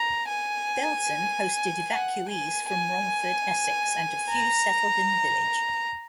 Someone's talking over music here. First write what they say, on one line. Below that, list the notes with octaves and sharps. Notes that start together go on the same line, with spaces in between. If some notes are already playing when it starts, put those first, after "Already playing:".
Belton hosted evacuees from Romford, Essex and a few settled in the village.
Already playing: A#5
G#5
F#5
G#5
G#5
A#5